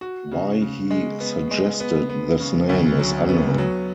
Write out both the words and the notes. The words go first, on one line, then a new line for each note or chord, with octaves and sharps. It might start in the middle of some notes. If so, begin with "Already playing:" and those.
Why he suggested this name is unknown.
F#4
C#3
C#3
G#3
B3
G#3
B3
B3
C#3
D2
F#3
B3
F#3